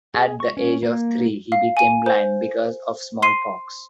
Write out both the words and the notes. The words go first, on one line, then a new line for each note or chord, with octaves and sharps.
At the age of three he became blind because of smallpox.
G#4
C#6
C#4
A#3
F5
G#5 D#7
C5
C6 C7 D#7